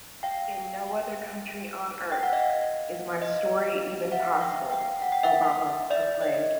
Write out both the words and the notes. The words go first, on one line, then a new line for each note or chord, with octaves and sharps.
"In no other country on Earth is my story even possible," Obama proclaimed.
F5 G5
G5
F#5
D#5 F5
D#5 F5
F5
E5 F#5
F5 G5
F5 G5
F#5
G5
E5 F#5
D5 E5
E5
C#5 D#5